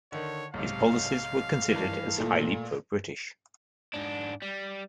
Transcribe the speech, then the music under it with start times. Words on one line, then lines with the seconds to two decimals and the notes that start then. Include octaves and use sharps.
His policies were considered as highly pro-British.
0.12 D3 D#3 C#5
0.54 B1 G#2 C3 F5
1.72 G2 D#3 E3
2.18 A#2 A3
3.94 G#2 D4
4.42 G3